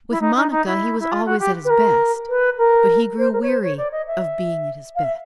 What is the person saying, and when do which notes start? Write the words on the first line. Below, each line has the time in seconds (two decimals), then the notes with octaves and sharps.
With Monica he was always at his best, but he grew weary of being at his best.
0.10 E4
0.21 D#4
0.36 D#4
0.51 D#4
0.66 E4
0.99 E4
1.11 F4
1.25 F#4
1.39 G4
1.65 B4
1.70 A#4
2.29 B4
2.58 A#4
3.18 C5
3.33 A#4
3.42 C#5
3.48 C5
3.62 C#5
3.77 D5
3.91 D#5
4.07 E5
4.95 F5
5.04 E5